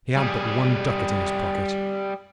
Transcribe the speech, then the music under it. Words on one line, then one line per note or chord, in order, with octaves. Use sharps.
He had but one ducat in his pocket.
G3 G#4